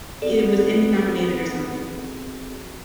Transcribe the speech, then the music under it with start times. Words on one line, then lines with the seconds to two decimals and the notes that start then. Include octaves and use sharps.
It was Emmy nominated or something,
0.22 B3 C4 F#4 G#4 A4 D5